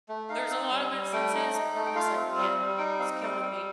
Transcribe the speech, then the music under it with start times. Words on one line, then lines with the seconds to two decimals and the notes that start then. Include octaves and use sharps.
There's a lot of instances where I'm just, like, "Man, it's killing me,"
0.09 A3
0.29 D#4 F5
0.50 C4
0.71 G3
0.92 G3
1.13 A3 G5
1.33 D#4
1.54 D#4
1.75 A3
1.86 G5
1.96 F4 F5
2.16 C4
2.37 G3
2.58 G3
2.78 D#4 G5
2.99 C4 F5
3.21 G3 G5
3.41 G3